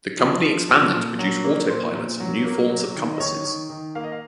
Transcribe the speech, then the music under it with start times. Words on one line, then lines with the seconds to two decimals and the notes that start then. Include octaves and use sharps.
The company expanded to produce autopilots and new forms of compasses.
0.19 F3
0.44 F3
0.69 F3
0.94 A#2
1.19 F#3
1.44 A#3
1.69 A#2 C5
1.94 A#2
2.20 F#3
2.45 A#3
2.69 F#3
2.95 D#3
3.13 D#5
3.20 D#3 C#5
3.45 D#3
3.70 D#3
3.95 A#3 F5
4.04 D#5
4.12 F5